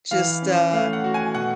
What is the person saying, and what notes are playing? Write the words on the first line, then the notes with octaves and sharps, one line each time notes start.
just, uh
E3 F5
C#4
A3 F5
F#5
F#4
G#5
B2 F#5